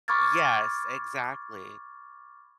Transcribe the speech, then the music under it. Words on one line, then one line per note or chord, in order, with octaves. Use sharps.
Yes. Exactly.
B5 C#6 D6 F6 G#6 A6